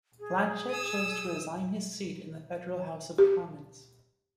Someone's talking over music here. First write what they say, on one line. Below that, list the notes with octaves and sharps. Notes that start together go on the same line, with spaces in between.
Blanchet chose to resign his seat in the federal House of Commons.
G#4
D#6 E6
G4